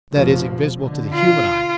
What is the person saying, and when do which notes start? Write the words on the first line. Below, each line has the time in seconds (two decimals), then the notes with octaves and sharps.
That is, invisible to the human eye.
0.14 F1 B2 F3
0.75 B2 D3
1.13 F4